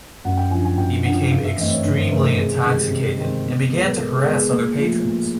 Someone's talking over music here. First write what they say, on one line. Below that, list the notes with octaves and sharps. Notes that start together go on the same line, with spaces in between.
He became extremely intoxicated and began to harass other patrons.
F#2 F#5
G5
D3 F3 G#5
G#5
F#2 G5
D3 F3 F#5
G2 F5
E5
E3 A3 C4 D#5
C#5
G2 C5
C5
E3 A3 C4 A#4
A4
C3 G#4
G#4
D#3 G#3 C4 G#4
G4
C3
D#3 G#3 C4
B2
G#3 B3
B4
A#4
B2 A4
G#4
G#3 B3
G#4
A#2
F3 A3
A#2